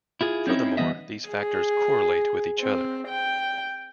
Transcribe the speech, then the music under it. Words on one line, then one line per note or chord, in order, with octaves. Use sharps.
Furthermore, these factors correlate with each other.
E4 F4 G#4
C4 C#4 D#4 E4
E3 G3 G#3 B3 D#5 E5
G#4
C4
G5